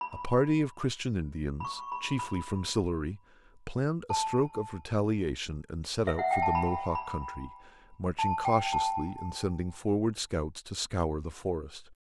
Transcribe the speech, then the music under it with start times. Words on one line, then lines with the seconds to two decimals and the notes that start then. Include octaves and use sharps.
A party of Christian Indians, chiefly from Sillery, planned a stroke of retaliation, and set out for the Mohawk country, marching cautiously and sending forward scouts to scour the forest.
0.01 B5
1.60 B5
1.65 C#6
1.92 B5
2.19 B5
4.10 A5
6.07 E5
6.19 F#5
6.31 G5
6.42 A5
6.55 B5
6.95 B5
8.19 A5
8.45 G5
8.73 A5